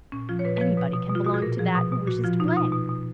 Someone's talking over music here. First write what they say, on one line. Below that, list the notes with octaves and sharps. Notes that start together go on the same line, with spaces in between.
Anybody can belong to that who wishes to play.
A#2 C#4
F3 F4
C#5
A#2 B4
B4
F3 C#5
B2 B4
B2
B2
F4
B2 F#4
G#4
A#2 A#4
F3 G#4
B2
B2
A#2 F#4
F3 F4
B2 D#4
F4
B2 D#4
B2
B2